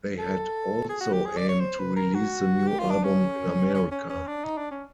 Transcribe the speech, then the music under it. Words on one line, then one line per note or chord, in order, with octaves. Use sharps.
They had also aimed to release the new album in America.
A4
G#4
F#4
G4
G#4
D5
C#5
C5
B4
A#4
F#4
G4
F4
D4
C#4
C#4
C#4
C#4
D4
D#4
D4
C#4